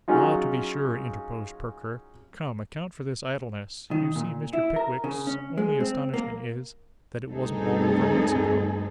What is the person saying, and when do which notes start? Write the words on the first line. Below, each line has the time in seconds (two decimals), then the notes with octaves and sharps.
'Ah, to be sure!' interposed Perker; 'come, account for this idleness. You see Mr. Pickwick's only astonishment is, that it wasn't all over, months ago.'
0.08 F#3 G#3 C#4 D#4 F4
3.91 D#3
4.16 A#2
4.53 E4
4.76 A#4
5.04 C#3
5.27 C#4
5.58 G#3
5.80 C4
6.14 A#3
7.30 D2 G2 C4 D#4 G#4 A4